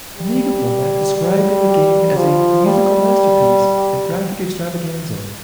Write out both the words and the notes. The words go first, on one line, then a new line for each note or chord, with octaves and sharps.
"Amiga Format" described the game as a "musical masterpiece" and "graphic extravaganza".
G3
G3
F3
G3